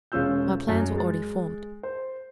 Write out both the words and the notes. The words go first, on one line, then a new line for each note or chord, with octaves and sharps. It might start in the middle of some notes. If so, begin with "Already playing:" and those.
My plans were already formed.
E1 G#3 C#4 F4 E6 G6
F#2
G#3 A6
C5